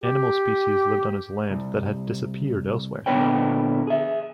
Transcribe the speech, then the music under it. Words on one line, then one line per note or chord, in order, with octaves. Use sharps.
Animal species lived on his land that had disappeared elsewhere.
G4
C2
A#2 D3 B3 B4 C#5 G5
G#4 E5